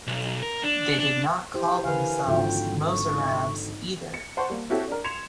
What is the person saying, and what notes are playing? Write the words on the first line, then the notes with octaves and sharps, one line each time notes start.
They did not call themselves "Mozarabs" either.
B1
A#4
D4
D4
E4 G4 C5
D3 E3 G4 A#4 B4 F5 G#5
G#1 D3 F3 F4 F#4 G5
C#6
D#4
C#7
C5 F#5 A5 C6 C#6
G3 A#3
C4 E4 F#4 G4 A4 C#5
D4 A#4
C6 G#6 C#7 E7 F7